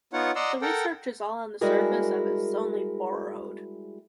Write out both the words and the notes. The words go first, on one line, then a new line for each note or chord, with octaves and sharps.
The research is all on the surface and is only borrowed.
B3 D#4 F4 C#5 F#5
D5 D#5 F#5 A#5 C6 E6
A4 A#4 F#5 G5
G3 G#3 E4 F#4 G#4 A#4